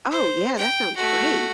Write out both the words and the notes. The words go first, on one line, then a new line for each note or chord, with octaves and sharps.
Oh, yeah, that sounds great.
C5
G5
A3 F#4